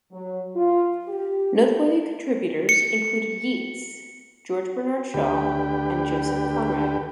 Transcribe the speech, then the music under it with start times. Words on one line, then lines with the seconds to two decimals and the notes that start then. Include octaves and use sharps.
Noteworthy contributors included Yeats, George Bernard Shaw, and Joseph Conrad.
0.12 F#3
0.55 F4
1.08 G4
2.69 C#7
5.14 D2 D3 G4 B4 G5